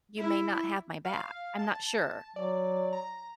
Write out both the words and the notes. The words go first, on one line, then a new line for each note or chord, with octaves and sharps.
you may not have my back. I'm not sure."
E4
F5
A5
F#3 D5
A#5